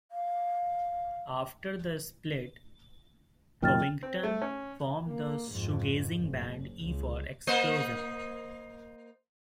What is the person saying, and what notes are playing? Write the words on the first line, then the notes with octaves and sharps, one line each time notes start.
After the split, Covington formed the shoegazing band E for Explosion.
F5
F#2 A#2 D#3 G5 F6 A6
C4
A3
C#4
A#3
F2 G#2
F#1
C#2
A#3 C5 D#5